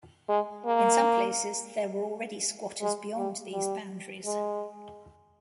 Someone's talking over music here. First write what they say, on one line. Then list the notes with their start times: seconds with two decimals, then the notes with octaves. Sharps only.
In some places there were already squatters beyond these boundaries.
0.29 G#3
0.65 A#3
2.81 G#3
3.17 G3
3.53 G3
4.26 G#3